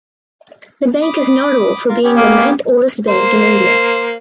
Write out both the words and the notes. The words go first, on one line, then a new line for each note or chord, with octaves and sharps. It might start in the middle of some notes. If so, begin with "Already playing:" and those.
The bank is notable for being the ninth oldest bank in India.
B5 D6 D#6
F4 A#4 F5
B3 C#4 G4
A#3
A#3 C5